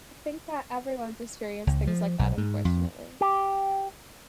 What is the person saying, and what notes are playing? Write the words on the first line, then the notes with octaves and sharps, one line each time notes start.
I think that everyone's experienced things like that, unfortunately.
C#2
F3
B1
G#2
F2
G4